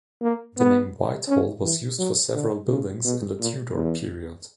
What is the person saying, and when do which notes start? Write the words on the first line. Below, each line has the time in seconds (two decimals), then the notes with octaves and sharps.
The name Whitehall was used for several buildings in the Tudor period.
0.22 A#3
0.58 B3
1.28 C#4
1.63 E3
1.99 F#3
2.34 D3
2.69 C#3
3.04 B2
3.39 A#2
3.74 E2